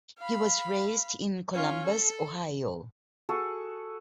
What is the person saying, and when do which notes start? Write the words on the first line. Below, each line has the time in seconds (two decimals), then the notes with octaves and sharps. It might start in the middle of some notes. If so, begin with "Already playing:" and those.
He was raised in Columbus, Ohio.
0.18 F5 B5
1.54 C#4 F4
1.86 A4
3.29 F#4 G#4 A4 C#6